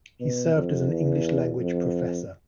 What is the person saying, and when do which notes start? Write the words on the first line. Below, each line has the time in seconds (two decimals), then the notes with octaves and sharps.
He served as an English language professor.
0.21 B2
0.55 F2
0.90 E2
1.58 F2